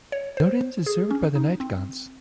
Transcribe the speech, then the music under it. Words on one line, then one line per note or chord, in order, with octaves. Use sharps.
Nodens is served by the Nightgaunts.
C#5
C5
G#4
C#4
D#4
C4